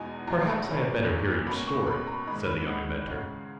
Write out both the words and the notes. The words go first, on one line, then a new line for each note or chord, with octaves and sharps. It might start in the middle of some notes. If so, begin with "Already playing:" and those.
"Perhaps I had better hear your story," said the young inventor.
Already playing: E2 B2 G#3 D#4 G#5
E2 B2 G#3 D#4 A#5
B5
A#1 A#2 F#3 C#4
A#1 A#2 F#3 C#4
C#2 B2 A#3 C#4 B5
C#6
C#2 B2 A#3 C#4 B5
A#5
G#2 D#3 G#3 D#4 B5
B5
G#2 D#3 G#3 D#4 F#5
C#2 C#3 G#3 C#4 F#5